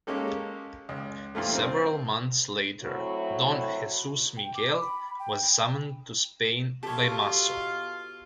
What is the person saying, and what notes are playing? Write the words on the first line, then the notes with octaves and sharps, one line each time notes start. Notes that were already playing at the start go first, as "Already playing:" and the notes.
Several months later, Don Jesus Miguel was summoned to Spain by Maso.
G#3 A#3 C#4 G4 A4
C#2
G2 A#2 F3 A3
C4
F#3 A3 C4 E4 F#4
G5
D6
B5
G5
B2 F4 G4 A4 C#5